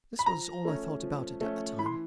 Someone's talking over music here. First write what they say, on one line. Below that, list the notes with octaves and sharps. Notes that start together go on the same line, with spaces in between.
This was all I thought about it, at the time.
B5
F3 A#5
A3 C#4
F3
A3 C#4
E3 B5
C6